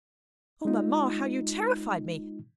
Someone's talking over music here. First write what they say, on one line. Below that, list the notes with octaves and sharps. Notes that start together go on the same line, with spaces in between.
'Oh, mamma, how you terrified me!
G#3 D#4 F4